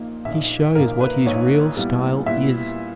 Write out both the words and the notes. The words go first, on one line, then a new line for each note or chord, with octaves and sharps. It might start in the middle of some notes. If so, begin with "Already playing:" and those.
He shows what his real style is.
Already playing: A#1 A#2 A#3 D#4
A#1 A#2 A#3 D#4 E5
A#1 A#2 A#3 D#4 A#4
B4
A#1 A#2 A#3 D#4 C#5
A#2 G3 B3 E4
A#2 G3 B3 E4 E5